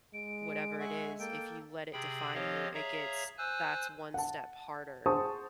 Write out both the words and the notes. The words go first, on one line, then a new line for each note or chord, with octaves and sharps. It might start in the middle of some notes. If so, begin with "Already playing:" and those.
whatever it is, if you let it define you, it gets that's one step harder
G#3 D7
E5 F#5 G#5 C#6
A#3 A4 G5 D7
C3 G#4 G5 B5
F3 C4 G4 C#5 D#5 F5
G#4 C#5 E5 F5 A#5
C5 G#5 E6 F#6
F#5 A5
G#4 C5 F#5 A5 C#6 D#6